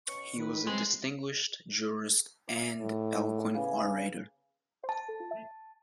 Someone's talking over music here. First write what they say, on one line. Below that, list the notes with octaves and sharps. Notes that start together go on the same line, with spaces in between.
He was a distinguished jurist and eloquent orator.
B2 C#4 C#6
C#2 D#3 B4
G#3 C4
D5 E5
A2
C#3 B3 G#5
A5